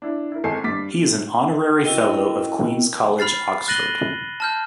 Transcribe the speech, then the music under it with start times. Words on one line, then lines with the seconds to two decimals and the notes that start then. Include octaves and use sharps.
He is an Honorary Fellow of Queen's College, Oxford.
0.02 D4 E4
0.32 E4 A#4
0.44 G#1 A4 G#5 C7
0.64 G2 D6 A6 B6
1.84 C#4 E4 F#4 A#4 D#5 G5
3.19 B5 F6 A6 C7
3.68 F#6 A6 A#6 D#7 F#7 G7
4.40 A5 F6 G6